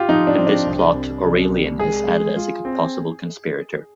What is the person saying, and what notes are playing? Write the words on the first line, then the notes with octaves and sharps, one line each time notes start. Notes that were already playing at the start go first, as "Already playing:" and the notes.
In this plot, Aurelian is added as a possible conspirator.
Already playing: F4 G4
F3 D#4
D4
C4
D4
C2
C2
C2
C2
G#3 G#4
G#3
F4
C4